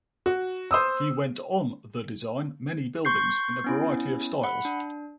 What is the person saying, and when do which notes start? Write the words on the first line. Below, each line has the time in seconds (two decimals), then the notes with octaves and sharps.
He went on the design many buildings in a variety of styles.
0.26 F#4
0.71 C5 D#6 E6
3.05 C6 C#6 G6 C7
3.64 B3 C#4 E4
4.44 F#5 B5
4.65 D4